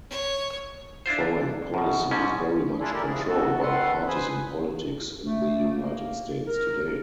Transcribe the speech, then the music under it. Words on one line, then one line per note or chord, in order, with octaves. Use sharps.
Foreign policy is very much controlled by partisan politics in the United States today.
C#5
D4 E4 F4 C5
F#2 B2
G#2 B2 G3 C#4
C#4 D4 E4 F4 G#4 A4
E4 G4 A4 A#4 D5
E3 F3 G#4
B3 F#4 A4
D#3 A4 B4 F#5 C6
B4 C5 G#5 B5 D#6
A3
A#3
A#4